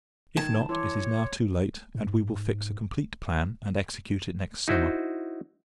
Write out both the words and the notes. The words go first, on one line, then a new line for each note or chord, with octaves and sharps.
If not, it is now too late; and we will fix a complete plan, and execute it next summer.
D#3 A5 G#6
E3 C#5 C6 D6
G#2
D#4 E4 F#4 C5